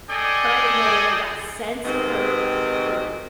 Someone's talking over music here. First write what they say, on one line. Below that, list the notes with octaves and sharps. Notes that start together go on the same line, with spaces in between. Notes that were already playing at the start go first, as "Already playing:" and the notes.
But I didn't know they only got cents per per
G#4 A4 D5 D#5 G5 G#5
G#2 C3 D#3 B3 C4 D#5